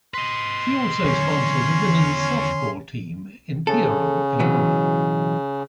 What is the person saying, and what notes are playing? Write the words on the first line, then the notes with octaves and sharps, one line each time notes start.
She also sponsors a women's softball team in Pierron, Illinois.
B4 D#5 C6
E2 D3 D#3 F#3 C#4 C#5
C#3 A4
B2 E3 F#3